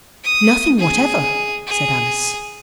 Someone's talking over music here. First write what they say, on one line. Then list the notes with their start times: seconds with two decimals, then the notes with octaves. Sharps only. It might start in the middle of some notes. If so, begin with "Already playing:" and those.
'Nothing whatever,' said Alice.
0.24 D#6
0.79 G#4
1.67 G#4